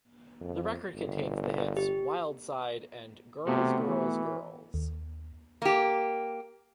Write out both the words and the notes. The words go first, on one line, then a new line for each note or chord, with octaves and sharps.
The record contains the hits "Wild Side" and "Girls, Girls, Girls".
F2
G1
G4
C3 A3 B3 F#4
E3
D#2
A#3 G4